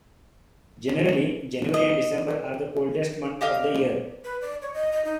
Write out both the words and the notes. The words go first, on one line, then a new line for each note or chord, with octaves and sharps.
Generally, January and December are the coldest month of the year.
D#5
G4 D#5 F5
B4
D5
C#5
D#5
D#5
D#4